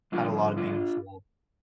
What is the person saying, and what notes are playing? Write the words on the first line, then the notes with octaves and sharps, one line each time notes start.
had a lotta beautiful
G2 D3 F3 D4 F4
D4 F4